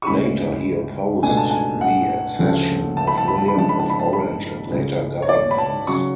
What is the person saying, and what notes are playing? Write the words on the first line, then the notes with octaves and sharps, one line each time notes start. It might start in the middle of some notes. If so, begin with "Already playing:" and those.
Later he opposed the accession of William of Orange and later governments.
C#6
D2 C#3 G#3 C#4 B5
C#2 B2 A3 D4 G#5
A5
G#5
F#5
D2 C#3 F3 A3 C#4
A5
B5
A5
B5
A5
B5
C#3 F3 G#3 D4 A5
B5
A5
B5
A5
B5
C#2 C#3 G#3
C#5
D5
B5
A5
C#3 F#3 C#4 C#6